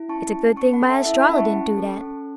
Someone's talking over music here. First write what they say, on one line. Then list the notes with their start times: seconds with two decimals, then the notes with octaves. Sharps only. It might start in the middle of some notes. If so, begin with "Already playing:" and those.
It's a good thing my Estralla didn't do that!
Already playing: E4
0.09 C#4 A5 C#6
0.33 C#4
0.56 C#4 A5 C#6
0.73 F#5 B5
0.81 A4
0.89 E5 A5
1.05 E4 E5 A5
1.21 F#5 B5
1.29 C#4
1.38 A5 C#6
1.53 C#4
1.77 A4
2.01 C#4